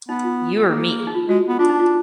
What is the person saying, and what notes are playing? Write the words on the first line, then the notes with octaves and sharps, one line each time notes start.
You or me?
B3 D#4
F4
A#3
G#4
D#4
F4
G#3 F#4
B3
D4 F4
D#4
F4